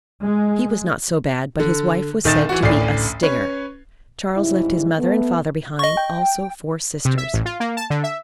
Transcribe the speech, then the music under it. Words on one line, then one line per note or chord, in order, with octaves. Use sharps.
"He was not so bad, but his wife was said to be a 'stinger.'" Charles left his mother and father behind, also four sisters.
G#3
D3
D#1 D#3 D#4 D#5 A6 E7
E3 F#4
A1 D2 A2 D5 C7
C#4 B4 C#5
G#2 C#3 G3 E4
A3 B3
D#5 C#6
G5
C3
E5
A1
F4
A#3
A5
D3
E5